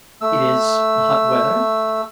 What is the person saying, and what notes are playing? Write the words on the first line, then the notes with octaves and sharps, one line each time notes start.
It is hot weather.
A3 E6